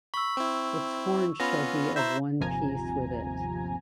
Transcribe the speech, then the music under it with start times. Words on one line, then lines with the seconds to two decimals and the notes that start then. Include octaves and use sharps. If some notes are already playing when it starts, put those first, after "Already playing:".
Its horns shall be of one piece with it.
0.14 B5 C#6 E6
0.37 C4 E4
1.40 B3 C#4 F4 B5 A#6
1.96 E4 C5 E5 A#5 G6
2.40 G1 D#2 C3 F3 G#5 A#5